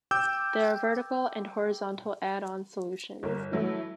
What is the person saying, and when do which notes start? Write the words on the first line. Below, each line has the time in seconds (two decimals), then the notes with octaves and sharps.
There are vertical and horizontal add-on solutions.
0.11 G5 D6 E6 G6
3.23 G1 A#4
3.52 E3 F#3 A3 E4